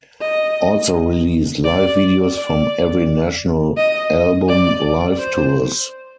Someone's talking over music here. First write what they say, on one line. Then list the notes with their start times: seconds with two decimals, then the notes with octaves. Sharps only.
Also released live videos from every national album live tours.
0.21 D#5
1.64 D5
2.35 D5
3.77 D#5
4.48 D5
5.19 C5